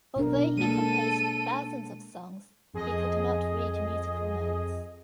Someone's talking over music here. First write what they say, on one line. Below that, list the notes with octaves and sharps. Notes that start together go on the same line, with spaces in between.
Although he composed thousands of songs, he could not read musical notes.
B2 D4 A#4
G#3 A#3 A4 D#7
F2 G#4 D#5